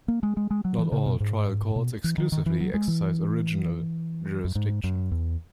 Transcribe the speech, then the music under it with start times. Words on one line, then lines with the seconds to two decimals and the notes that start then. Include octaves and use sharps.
Not all "trial courts" exclusively exercise original jurisdiction.
0.08 A#3
0.23 G#3
0.37 G#3
0.51 G#3
0.65 F#3
0.78 E3
0.92 C#3
1.06 B2
1.20 G#2
1.76 B2
2.04 E3
2.18 D#3
2.32 D#3
2.46 E3
2.60 F#3
2.74 G#3
2.88 E3
4.45 F#2
4.55 G#2
4.84 F#2
5.11 E2